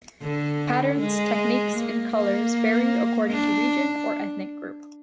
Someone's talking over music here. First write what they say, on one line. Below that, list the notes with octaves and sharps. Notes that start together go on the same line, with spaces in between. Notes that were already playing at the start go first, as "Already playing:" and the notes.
Patterns, techniques and colors vary according to region or ethnic group.
D3
G#3
A#3
A#3
D4